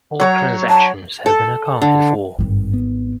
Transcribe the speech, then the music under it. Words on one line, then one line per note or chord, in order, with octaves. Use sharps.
All transactions have been accounted for.
F#3 C#5 A#5
A5
A4
D3
G#1 G2 C4
B3